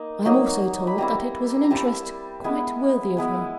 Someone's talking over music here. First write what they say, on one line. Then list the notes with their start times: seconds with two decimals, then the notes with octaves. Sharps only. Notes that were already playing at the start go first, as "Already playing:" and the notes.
I am also told that it was an interest quite worthy of her.
Already playing: A#3 D#4
0.25 F#3 A#3 D#4
0.87 B5
0.98 G3 C4 E4 A#5
1.63 A#5
1.70 G3 C4 E4 A5
2.44 G#3 B3 E4
3.17 G#3 B3 E4